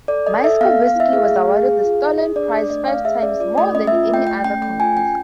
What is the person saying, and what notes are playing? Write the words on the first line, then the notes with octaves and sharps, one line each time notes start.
Myaskovsky was awarded the Stalin Prize five times, more than any other composer.
A4 D5
A4 D#5
A4 E5
B3 F5
B3
F5
E4 E5
G#4 F5
A3
G#4
G#4
F4
G#4
G#4 D#5
D4 D5
D4 D#5
D5
A3 D#5
A3 F5
G#4 E5
C#4 D5
F4 D5
A3 D#5
C#4 D#5
F4 E5
A3 G5
A3 G5
C#4 G5
A3 G5
F4 G#5
C#4 G5